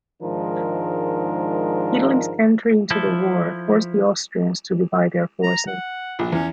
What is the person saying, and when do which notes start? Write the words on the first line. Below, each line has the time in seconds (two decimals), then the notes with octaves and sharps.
Italy's entry into the war forced the Austrians to divide their forces.
0.23 G#2 D#3 F3 G#3 D4 A#4
2.91 F3 E4 A4
5.43 A#5
5.67 F#5
6.19 A#1
6.32 E2 C#4